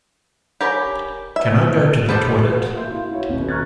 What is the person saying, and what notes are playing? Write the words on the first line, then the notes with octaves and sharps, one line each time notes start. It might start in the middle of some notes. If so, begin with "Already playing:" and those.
Can I go to the toilet?
G4 A#4 C#5 G#5 B5
E5
B3 G4 A4 C5
F4 F#4 A#4
A#3 E5 C6 G6
E4 F5
E4 F#4 C#5
D#1 B2 C#4 B4
A#5 C#6 F6 F#6 G#6 A6